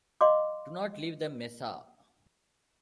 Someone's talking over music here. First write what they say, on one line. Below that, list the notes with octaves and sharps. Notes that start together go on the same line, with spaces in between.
Do not leave the mesa.
D#5 F5 C6 D6